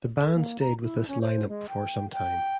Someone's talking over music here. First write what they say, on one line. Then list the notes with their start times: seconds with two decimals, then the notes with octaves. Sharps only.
The band stayed with this line-up for some time.
0.21 A4
0.35 A#3
0.61 A#5
0.82 E4
1.08 C#4
1.21 C5
1.49 G#3
1.69 G5
2.13 G5